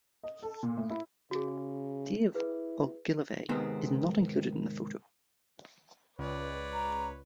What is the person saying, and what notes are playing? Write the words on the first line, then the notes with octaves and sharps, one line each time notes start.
Dave Ogilvie is not included in the photo.
D#5
A4
A#2
A2
E4
C#3 F#4 G#4
E4 G#4 B4
G#2 C3 D#3 B3 C4
C#2 B4 C#5 D5
A#5